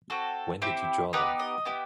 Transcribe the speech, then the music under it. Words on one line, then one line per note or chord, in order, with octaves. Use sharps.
When did you draw them?
C4 F#4 A4
C4 E4 G4
B3 D#4 G4 B4
D#5
B3 E4 G4